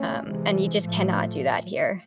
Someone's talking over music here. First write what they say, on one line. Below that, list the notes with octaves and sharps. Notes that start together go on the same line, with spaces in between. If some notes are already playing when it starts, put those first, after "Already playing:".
Um, and you just cannot do that here.
Already playing: A3 C#4
C3 E3 G#3
A2 F3 A3